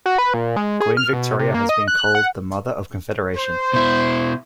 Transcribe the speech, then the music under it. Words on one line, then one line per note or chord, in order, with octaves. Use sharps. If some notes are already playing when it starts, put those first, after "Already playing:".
Queen Victoria has been called the Mother of Confederation.
F#4
B4
A#2
G#3
G#4
F6
B2
C3
A#3
D#5
F#6
F#5
C5
B2 E4